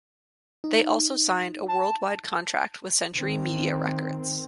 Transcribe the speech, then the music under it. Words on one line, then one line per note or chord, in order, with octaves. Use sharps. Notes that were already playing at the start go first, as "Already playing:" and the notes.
They also signed a worldwide contract with Century Media Records.
D#4
A5
D#3 C4